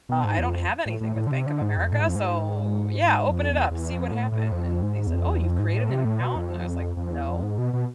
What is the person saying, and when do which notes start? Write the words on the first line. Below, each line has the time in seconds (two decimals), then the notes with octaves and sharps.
I don't have anything with Bank of America, so, yeah, open it up. See what happened," and they said, "Oh, you've created an account?" and I was like, "No."
0.09 B2
0.24 G#2
0.38 E2
0.44 F2
0.86 A2
1.01 A2
1.16 A2
1.27 D3
1.32 C3
1.47 D3
1.62 G#2
1.77 F2
1.92 A2
2.00 G#2
2.08 F2
2.15 G#2
3.30 F2
3.50 E2
3.71 E2
3.91 F2
4.12 A2
4.32 A2
4.52 F2
4.82 G#2
5.07 E2
5.13 F2
5.29 E2
5.44 F2
5.59 G#2
5.74 A2
5.90 C3
6.05 A2
6.21 B2
6.36 F2
6.97 F2
7.12 E2
7.27 F2
7.43 G#2
7.58 B2
7.73 B2